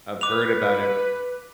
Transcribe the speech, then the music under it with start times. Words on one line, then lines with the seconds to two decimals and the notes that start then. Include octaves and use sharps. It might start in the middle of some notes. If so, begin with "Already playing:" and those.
I've heard about it.
0.21 B4 D6 F7